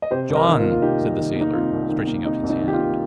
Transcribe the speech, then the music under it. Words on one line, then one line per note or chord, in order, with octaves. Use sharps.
"John!" said the sailor, stretching out his hand.
D#5
C3 G4 C5
C2
A#4 D#5
D#3
F4 A#4
A#3
F4
C3 D#4 G4
C2
D#3
A#3 D#4
C3 F4
C2
D#3
A#3
C3 D#4
C2
D#4
D#3
G4
F4
A#3